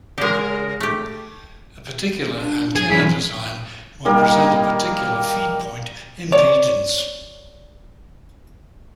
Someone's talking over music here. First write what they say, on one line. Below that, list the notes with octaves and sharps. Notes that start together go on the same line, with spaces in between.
A particular antenna design will present a particular feedpoint impedance.
C#3 G#3 G4 A#4
A3 G4
D4
F#3 G#4 G#6
E3 F#3 D4 B6
D#3 G3 A#3 D#5
C#5 D5